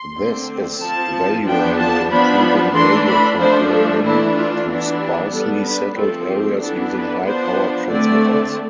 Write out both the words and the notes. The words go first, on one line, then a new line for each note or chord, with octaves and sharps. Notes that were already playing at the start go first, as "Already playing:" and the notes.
This is valuable in proving radio programming to sparsely settled areas using high-powered transmitters.
Already playing: C6
D3 A3 C4
F3 C4 A5
F3 B3 D4 G5
A5
F3 B3 D4 B5
E3 A3 D4 C6
B5
F3 A3 D4 C5
A4
E3 A3 D4 E4
F4
E3 B3 D4
G4
G3 B3 D4 A4
B4
F3 A3 C4 A4
G4
E3 B3 D4 A4
B4
F3 B3 D4 C5
D3 A3 C4 D5